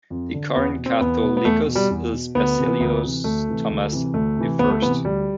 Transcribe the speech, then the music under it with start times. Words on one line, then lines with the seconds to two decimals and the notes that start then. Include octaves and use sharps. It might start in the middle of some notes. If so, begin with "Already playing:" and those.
The current Catholicos is Baselios Thomas the First.
0.10 F2
0.34 D3
0.55 E2 B3
0.78 B2
0.86 C4
1.00 E2 B3
1.23 B2
1.37 B3
1.45 E2 A3
1.67 B2
1.75 G3
1.90 E2
2.12 B2
2.35 D2 B3
2.57 C3 E3
2.80 D2
3.03 C3 E3
3.24 D2 A3
3.47 C3 E3
3.70 D2
3.92 C3 E3
4.14 D2 A3
4.37 C3 E3
4.59 D2 B3
4.70 A3
4.81 C3 E3 B3
5.04 D2 G3